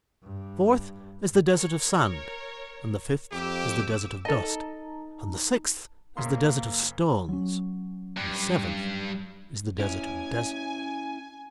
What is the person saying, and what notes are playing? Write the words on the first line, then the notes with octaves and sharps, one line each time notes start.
The fourth is the desert of sand, and the fifth is the desert of dust, and the sixth is the desert of stones, and the seventh is the Desert of Deserts.
G2
A#4 C#5
F2 G4 D6 E6
D#4 A4 D#5 A5 A#5
F#1 C#3 A#3 C6
F#3 C#4
G2
C#4 E4 G#5